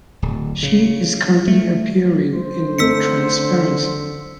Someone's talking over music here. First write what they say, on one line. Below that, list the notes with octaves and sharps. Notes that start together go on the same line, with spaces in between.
She is currently appearing in "Transparency".
D1
C#3
A3
C5
D3 A3 C4 D#4 E6 B6 C#7